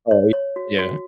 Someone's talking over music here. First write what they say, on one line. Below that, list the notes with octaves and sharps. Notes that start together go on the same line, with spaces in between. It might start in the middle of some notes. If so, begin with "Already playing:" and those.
Right, yeah.
C#5
C#5
F#4
F#4